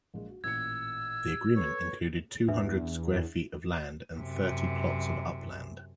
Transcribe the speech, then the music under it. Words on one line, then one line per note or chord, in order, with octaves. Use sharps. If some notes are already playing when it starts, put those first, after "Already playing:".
The agreement included two-hundred square feet of land and thirty plots of upland.
A#1 G#3
F#4
A1 A#2 E6 G#6 C#7
A4 B4 C#5
E2 D4 B4 E5
F#2 C3